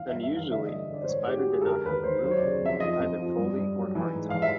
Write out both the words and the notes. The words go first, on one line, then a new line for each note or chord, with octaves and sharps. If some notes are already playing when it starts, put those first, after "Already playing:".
Unusually, the Spider did not have a roof, either folding or hard-top.
Already playing: E3 F5
G2 E5
E5
E3 F5
D3 E5
G3 D#5
D3 D5
C5
G#2 C#5
G#3 G4
F#4
G#3 G#4
A4
D3 A#4
D#2 B4
D#2 C5
F#3 C5
C#5
D5
C#3
F2 E5
F3 D#5
F2
F3
G2
G2
F#3
E3
G#2
E3 F5
E5